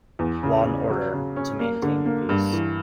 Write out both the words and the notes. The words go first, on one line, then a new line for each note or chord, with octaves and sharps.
Law and order to maintain the peace.
E2
C#3
C#3
F#3
C#3
C#4
A#3
D3
A#3
G2
E3